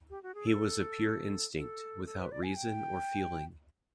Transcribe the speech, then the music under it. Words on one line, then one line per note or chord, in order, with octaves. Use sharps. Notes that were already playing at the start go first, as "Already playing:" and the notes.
He was a pure instinct, without reason or feeling.
G4
F#4
G#4
A4
A4
A4
B4
D5
G#5
G5